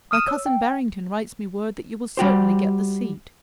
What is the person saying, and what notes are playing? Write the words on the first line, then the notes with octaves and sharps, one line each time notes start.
My cousin Barrington writes me word that you will certainly get the seat.
D#6 F6 D#7 E7
C#5 E6
G5
G3 F#4 G4 C5